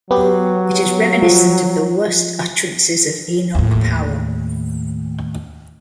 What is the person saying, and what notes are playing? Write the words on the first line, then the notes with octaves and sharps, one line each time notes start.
It is reminiscent of the worse utterances of Enoch Powell.
F#3 B3 G4
F3
D#2 A2